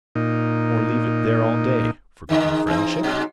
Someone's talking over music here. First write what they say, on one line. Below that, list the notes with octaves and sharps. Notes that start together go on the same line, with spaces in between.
Or leave it there all day, forgotten friendship?
A#2 D#4
G#2 D3 D#3 D#4
E3 C4
G#2 B2 F#3